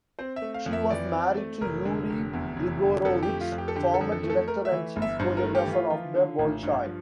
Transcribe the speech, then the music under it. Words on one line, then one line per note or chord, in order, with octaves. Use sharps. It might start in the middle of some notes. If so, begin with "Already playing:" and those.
She was married to Yuri Grigorovich, former Director and Chief choreographer of the Bolshoi.
C4 C5
E5
A3
F5
F2
E5
E3 D5
C4
A3
F1 A#4
D3
F1
E2
F1
D3
F2 A4
G4
A3
F4
F2
G4
A4
D3 G4
A4
F2
A4
A3
A4
A3 A#4
E5
E3
G1
E5
G2 C5
A#4
A3
G4
E3
F4
F3 F4
D3
A1
G2
F3